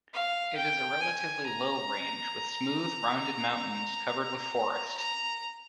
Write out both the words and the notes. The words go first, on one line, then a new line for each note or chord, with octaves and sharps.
It is a relatively low range, with smooth, rounded mountains covered with forest.
F5
G5
G#5
A#5
A#5